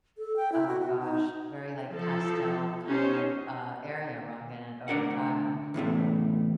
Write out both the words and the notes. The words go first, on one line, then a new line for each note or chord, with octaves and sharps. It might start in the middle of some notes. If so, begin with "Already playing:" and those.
oh gosh, very, like, pastel kind of, uh, area rug in it over tile.
A4
G5
E4
F#4
F#4
D#4
F3 A4
C#4 D#4 G4 C5
D2 D4 A#4 F#5
E2 A2 C3 A3